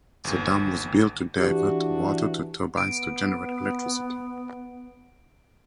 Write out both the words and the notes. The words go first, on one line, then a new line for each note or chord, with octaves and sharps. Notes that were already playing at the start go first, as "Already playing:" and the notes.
The dam was built to divert water to turbines to generate electricity.
G1 D#2
E3 D4 F#4 G4
B3 D7